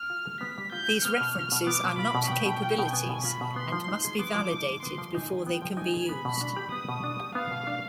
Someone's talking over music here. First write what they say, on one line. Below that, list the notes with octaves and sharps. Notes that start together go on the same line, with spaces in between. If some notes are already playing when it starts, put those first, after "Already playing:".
These references are not capabilities, and must be validated before they can be used.
Already playing: F6
F4
G#4
B3 B6
G3
F4 G6
G#4
B3 F6
B2
F4
B2
B3 D6
B2
F4 B5
B2
B3 G5
B2
F4
B2
B3 G#5
B2
F4 B5
B2
B3 C6
F3
D#4
G#4
B3 D6
F3
D#4
G#4
B3 C6
F3
D#4 G#5
G#4
B3 G5
F3
D#4 G#5
G#4
B3 B5
B2
D4
G4
B3 D#6
B2
D4
G4
B3 F5
B2
D4